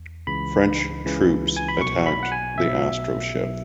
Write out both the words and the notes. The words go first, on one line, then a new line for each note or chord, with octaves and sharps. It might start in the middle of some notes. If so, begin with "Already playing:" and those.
French troops attack the astroship.
Already playing: E2
C#2 C#3 E3 B5
C#2 C#3 E3
G#5
B5
B1 B2 C#6
B5
F#5
G#5
B1 B2 E5
B1 B2